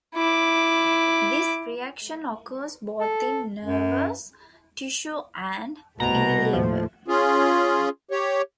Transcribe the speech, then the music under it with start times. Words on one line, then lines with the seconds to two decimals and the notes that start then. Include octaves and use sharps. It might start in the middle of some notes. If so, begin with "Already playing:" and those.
This reaction occurs both in nervous tissue and in the liver.
0.16 E4 D6
3.00 A4
3.64 F#2
6.00 C2 B2 A3 A#5
6.53 D#2 A2 F3 A3
7.08 C#4 F4 G#4
8.11 G4 C#5